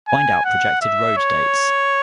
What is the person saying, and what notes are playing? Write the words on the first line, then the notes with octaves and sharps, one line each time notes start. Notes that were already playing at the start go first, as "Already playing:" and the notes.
Find out projected road dates.
G#5
F#5
E5
C#5